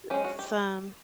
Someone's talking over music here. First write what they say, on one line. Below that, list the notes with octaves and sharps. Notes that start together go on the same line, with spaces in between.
it's, um
G#3 C#4 G4
F#4
G4